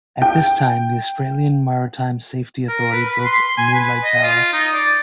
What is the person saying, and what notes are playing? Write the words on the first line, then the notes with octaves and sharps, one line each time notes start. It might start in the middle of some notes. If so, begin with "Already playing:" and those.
At this time the Australian Maritime Safety Authority built a new light tower.
G5
A#4
B4
B4
C6
G#5
B4
D#5
F4
D#4
D5